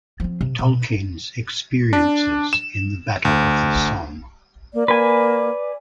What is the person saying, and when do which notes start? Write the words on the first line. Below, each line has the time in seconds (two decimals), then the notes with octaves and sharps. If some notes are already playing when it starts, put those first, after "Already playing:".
Tolkien's experiences in the Battle of the Somme.
0.20 F3 C4
0.41 C3
0.59 B2
1.93 D4
2.53 E7
3.25 D2
4.74 A#3 D5
4.88 A#3 B4 G#5